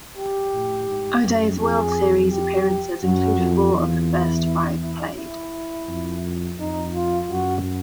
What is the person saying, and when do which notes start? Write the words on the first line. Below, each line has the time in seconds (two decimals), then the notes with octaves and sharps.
O'Day's World Series appearances include four of the first five played.
0.17 G4
0.53 A2
0.88 G#2
1.24 F#2
1.59 F2 G#4
2.31 G4
3.03 F#2 F#4
3.38 F2
3.74 E2 F4
4.10 E4
4.46 E4
4.80 E4
5.16 E4
5.88 F2
6.60 F2 D#4
6.95 F4
7.31 F#2 F#4